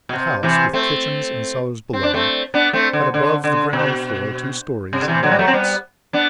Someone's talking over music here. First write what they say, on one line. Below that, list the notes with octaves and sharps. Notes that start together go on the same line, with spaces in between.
The house, with kitchens and cellars below, had above the ground-floor, two stories and attics.
B2
C3
C3 E3
A3 C4
C4
D4
A3 C4
B3 D4
A3 C4
D3
D3
D3
B2
C3
D3
C3 E3
D3 F#3
G3
F#3 A3
C4
G3 B3
B3 D4